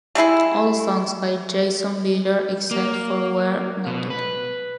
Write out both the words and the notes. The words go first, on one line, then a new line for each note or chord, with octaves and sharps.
All songs by Jason Bieler except for where noted.
G3 G#3 E4 G#4
A#3
B2
B4